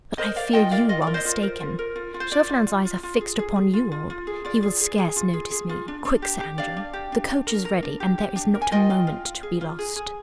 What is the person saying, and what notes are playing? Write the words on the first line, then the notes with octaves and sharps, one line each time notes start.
But I fear you are mistaken. Chauvelin's eyes are fixed upon you all, he will scarce notice me. Quick, Sir Andrew!--the coach is ready, and there is not a moment to be lost. . . .
A#4 C5 D#5
A#4 D5 F5
F4 D#5 G5
A#4 D5 F5
F4 D#5
D5
A#4
C5 D#5
F4
A#4
F4
A#4
F4
F4
C5
F4 D5
F4
F4
F4
F4
G#4
G#4
G#4
F4
F4
F4
G#4
F4 D5
G#4
G#4
G#4
F4
G#4
G#4
F4
D4
D4
G4
G4
D4 D5 F5
D4
G4
D4
D4
A#4
A#4
D4
G4
G4
D4
A#4
G#5
F4 D#5 G5
F4
F4
F4
G#4
F4
G#4
G#4